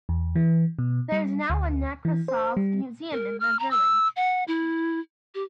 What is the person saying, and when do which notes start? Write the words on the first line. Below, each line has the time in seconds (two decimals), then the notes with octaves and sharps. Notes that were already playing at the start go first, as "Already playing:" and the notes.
There is now a Nekrasov museum in the village.
0.09 E2
0.36 E3
0.79 B2
1.12 G3
1.50 D2
2.05 E3
2.28 C5
2.57 G3
3.12 A#4
3.40 F6
3.59 A#5
3.71 E6
4.16 F#5
4.48 E4
5.35 G4